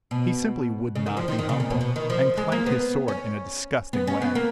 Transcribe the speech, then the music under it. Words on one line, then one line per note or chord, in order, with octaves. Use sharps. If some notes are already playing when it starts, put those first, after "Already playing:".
He simply would not be humble, and clanked his sword in a disgusting way.
B2
C#3
D#3
F3
D#3
D#3
C#3
A#2
B2
B2
D#3
F3
G#3
A#3
B3
C#4
B3
C#4
B3
A#3